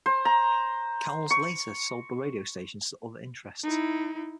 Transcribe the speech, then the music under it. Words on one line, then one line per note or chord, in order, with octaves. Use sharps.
Cowles later sold the radio stations to other interests.
C5
A#5
C#6
D#4 E4